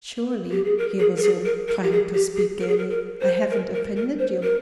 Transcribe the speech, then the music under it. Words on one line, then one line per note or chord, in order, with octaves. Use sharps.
"Surely," he resumed, trying to speak gayly, "I haven't offended you?"
G4
G#4
A#4
G#4
A#4
G#4
A#4
A#4
G4
G#4
G4
G#4
A#4
G#4
A#4
A#4
C5
A#4
A#4
A#4
C5
A#4